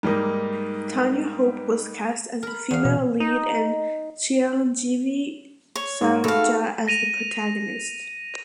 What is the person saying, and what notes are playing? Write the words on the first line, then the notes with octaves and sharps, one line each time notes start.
Tanya Hope was cast as the female lead and Chiranjeevi Sarja as the protagonist.
G#2 G3 A#3 D#4
A#4 B5
E2 F5
B2
D#4
C#5
G#2 F#5
A3 B3 F#4 A4 F5
A#6 D#7 F7